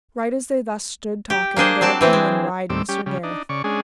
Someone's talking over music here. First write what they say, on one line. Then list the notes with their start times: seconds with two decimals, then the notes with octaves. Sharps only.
Right as they thus stood talking there came in riding Sir Gareth.
1.30 G4
1.56 A#3 D4 G#4 C5
1.81 F#3 C4 D5 A5
2.01 E3 C4 E4
2.13 G#3
2.70 D#2 A2 C4 D6 E6
2.89 G3 C#4 G4
3.06 C#3 G3
3.23 D4 D#4
3.49 C#3 D5 C#6
3.64 G#3 C#4 D4 G#4